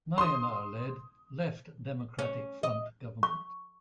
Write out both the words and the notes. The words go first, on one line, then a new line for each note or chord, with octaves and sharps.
Nayanar led Left Democratic Front Government.
C6 D#6
C#4
D#5
C#6